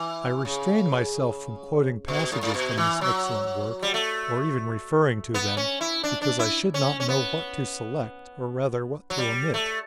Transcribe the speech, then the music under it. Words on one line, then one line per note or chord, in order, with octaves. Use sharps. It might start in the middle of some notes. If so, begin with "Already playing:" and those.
I restrain myself from quoting passages from this excellent work, or even referring to them, because I should not know what to select, or rather, what to omit.
Already playing: E3
C#3
B2
A2
A2
B2
E3
F#3
G3
A3
B3
C#4
E4
D4
D4
E4
C#4
C#4
B3
F#3
G3
A3